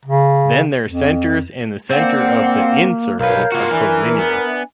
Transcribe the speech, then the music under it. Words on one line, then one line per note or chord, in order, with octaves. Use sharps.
Then their centers and the center of the incircle are colinear.
C#3
F2
A#3 C4 D4 F5 F#5
B1 A#4 B4 C#5 F5 G6
A#3 F4 F#4 F#5
E3 D4 E5 G#5
B3